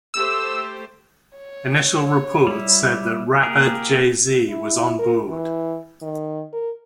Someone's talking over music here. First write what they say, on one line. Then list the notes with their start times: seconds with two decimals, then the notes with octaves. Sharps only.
Initial reports said that rapper Jay-Z was on board.
0.14 A3 G4 C5 E6
1.37 C#5
2.47 G3 E4
3.43 A#3 G4 G#4 A#4
4.49 E4
4.99 A#4
5.29 E3
6.03 D#3
6.53 A#4